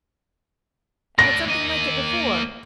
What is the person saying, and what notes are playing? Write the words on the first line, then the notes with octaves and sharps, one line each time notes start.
'I've had something like it before.
A3 D4 A#6
A#3 D#5